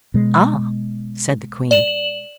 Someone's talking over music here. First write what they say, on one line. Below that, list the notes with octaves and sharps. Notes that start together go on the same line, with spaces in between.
"Ah!" said the queen.
B2 G#3
D5 E7 F#7